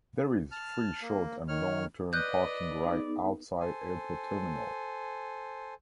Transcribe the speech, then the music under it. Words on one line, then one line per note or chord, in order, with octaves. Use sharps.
There is free short and long term parking right outside airport terminal.
A5 F6
A#3
D#3 C#5 F6
B4 D5 D#5 F#6 G6
B3 D#4 G#4
A4 C5 G#5